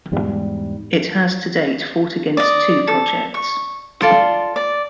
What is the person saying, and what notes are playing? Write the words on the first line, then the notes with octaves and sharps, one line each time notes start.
It has to date fought against two projects.
E2 G#2 G3
D5 D#5
A4
C#6
F4 A4 D5 C6
D5